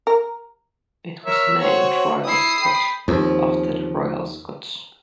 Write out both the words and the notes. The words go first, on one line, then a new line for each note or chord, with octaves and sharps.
It was named "Royal Scot" after the Royal Scots.
A#4
A#4 C#5 E5
C4 F#4 C#5
E4 D#6 C7
G5 B5
D#2 F3 C4